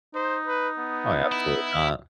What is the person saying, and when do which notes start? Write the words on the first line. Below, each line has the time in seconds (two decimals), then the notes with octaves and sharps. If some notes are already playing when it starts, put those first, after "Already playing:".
Oh, yeah, absolutely not.
0.15 D#4 C5
0.47 B4
0.79 B3
1.32 E4